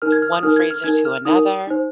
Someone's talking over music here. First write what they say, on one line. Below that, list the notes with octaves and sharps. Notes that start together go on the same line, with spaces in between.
one freezer to another?
D#4 A#4 F6
G#6
F6
D#6
D#4 A#4 F6
G#6
F6
D#4 A#4 G#6
F6
D#4 A#4 D#6
D#4 C5